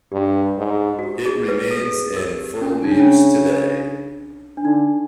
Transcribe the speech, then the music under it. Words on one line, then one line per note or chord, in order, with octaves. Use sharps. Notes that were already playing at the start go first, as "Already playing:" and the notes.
It remains in full use today.
G2 G4
G#2
F#4
G4
G#4
B4
A4
A4
G#4
A#4
G4
C#4
C#3 D#4
D4
C#4
D4
D4
D3 D#4